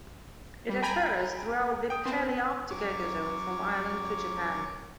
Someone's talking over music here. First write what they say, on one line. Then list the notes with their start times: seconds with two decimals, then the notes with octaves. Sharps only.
It occurs throughout the Palearctic ecozone from Ireland to Japan.
0.69 G3
0.82 G5 G#5 A#5 B5
1.90 G5 D#6
2.05 B3 C4
2.71 F#2 C#5 D6